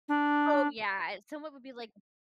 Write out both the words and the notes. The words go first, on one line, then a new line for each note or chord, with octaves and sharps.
Oh, yeah, someone would be like
D4